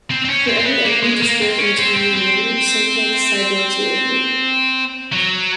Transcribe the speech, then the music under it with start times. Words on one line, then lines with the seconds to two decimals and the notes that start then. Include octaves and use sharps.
For every enemy destroyed in a timely manner, so-called "cyborgs" will appear.
0.11 C4
0.24 C4
0.29 C#4
0.48 C4
0.59 C4
0.66 B3
0.85 A#3
1.03 G#3
1.22 A#3
1.41 C4
1.60 C#4
1.78 C4
1.96 C4
2.15 C4
5.12 F#3